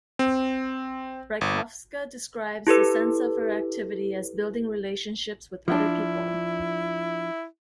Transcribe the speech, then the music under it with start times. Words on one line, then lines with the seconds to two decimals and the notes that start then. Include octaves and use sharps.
Rajkowska describes the sense of her activity as building relationships with other people.
0.19 C4
1.41 G1
2.67 E4 G4 A4 B4
5.68 F3 D4 E4